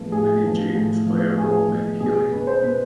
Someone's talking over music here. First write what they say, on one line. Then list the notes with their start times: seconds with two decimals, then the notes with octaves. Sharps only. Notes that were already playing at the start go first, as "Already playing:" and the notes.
Many genes play a role in healing.
Already playing: A2 F3 G#3 B3
0.12 A2 G#4
0.44 F3 G#3 B3
0.75 A2
1.06 F3 G#3 B3
1.38 A2 G#4
1.68 F3 G#3 B3
2.00 B2 G#4
2.32 G#3 C#4 B4
2.47 C5
2.63 B2 B4